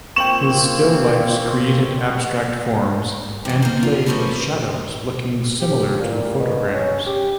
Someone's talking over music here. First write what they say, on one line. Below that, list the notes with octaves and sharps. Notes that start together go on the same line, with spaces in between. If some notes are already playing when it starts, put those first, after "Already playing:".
His still life's created abstract forms and played with shadows looking similar to photograms.
A#3 C4 F4 G5 C#6 E7 F#7
C3 E3
A#3 C5
F4
E3 F3 A3 A#3 C#4
G4
A#2
B2
C#4
G4